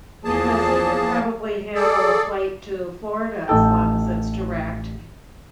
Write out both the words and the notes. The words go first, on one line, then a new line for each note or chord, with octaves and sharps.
because he could probably handle a flight to Florida as long as it's direct.
E2 F3 A#3 G#4 A5
G#4 A4 D5
A1 D#4 A4 G5